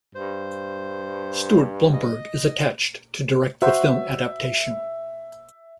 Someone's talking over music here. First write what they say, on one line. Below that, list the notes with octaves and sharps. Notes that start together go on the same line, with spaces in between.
Stuart Blumberg is attached to direct the film adaptation.
G2 C5
D#5
F#4 C5 E5